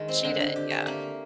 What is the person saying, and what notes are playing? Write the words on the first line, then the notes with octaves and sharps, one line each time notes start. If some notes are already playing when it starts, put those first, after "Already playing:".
She did, yeah.
Already playing: D#3 G#3
C4
D3
D3
G4
A3
A#3